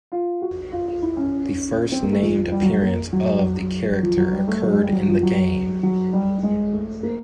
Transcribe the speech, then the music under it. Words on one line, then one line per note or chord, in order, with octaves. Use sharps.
The first named appearance of the character occurred in the game "".
F4
F#4
F4
F4
E4
C#4
C4
A#3
A3
F3
G3
F#3
A#3
F#3
F3
F#3
G3
A3
F#3
G#3
G3
F#3
F3
F#3
F#3
G3
G3
G#3
A3
A#3